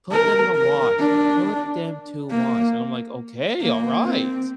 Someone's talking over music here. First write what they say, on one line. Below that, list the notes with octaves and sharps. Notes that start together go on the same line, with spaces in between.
"Put them to wash, put them to wash." And I'm, like, "Okay, all right."
A#4
A#4
D4
A#3
A#3
C4